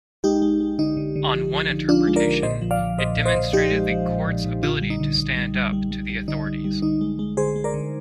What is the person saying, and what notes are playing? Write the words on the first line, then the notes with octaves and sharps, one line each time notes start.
On one interpretation, it demonstrated the courts' ability to stand up to the authorities.
G#3 D#4 G4
G#3
G#3
D3 D#4
D3
D3
F3
F3
D3
F3 D4 F4
G#3
A#4 D5
D3
A#2 C5 D#5
F3
D5 F5
A#2
A#2 C5 D#5
A#2
C5 D#5
A#2
F3 D#4 G4
G#3
F3
A#2
A#2
A#2
D3 D4 F4
G3
D#4
D3
D3
G3
G3
G3
G3
G3
D3 D#4
G3
G3
D3 D#4
G#3
G#3
D3 G#4 C5
G#3
A#4 D5
D3